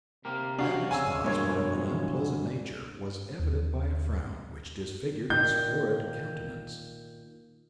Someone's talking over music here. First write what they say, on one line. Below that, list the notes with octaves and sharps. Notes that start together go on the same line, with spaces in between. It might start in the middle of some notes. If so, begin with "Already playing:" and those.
That his thoughts were of an unpleasant nature was evident by a frown which disfigured his florid countenance.
C3 A#3 G4 A#4
C#4 D4 F#4 F5
C#3 G#5 E6
G2 B2 E3 G#3 A#3 C#5 G#6
F3
D3
D#2
A#2 D#3 G6